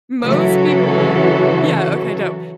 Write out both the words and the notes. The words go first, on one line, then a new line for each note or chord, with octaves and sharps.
most people yeah, okay, dope
C#3 E3 F#3 F#4 A4 C#5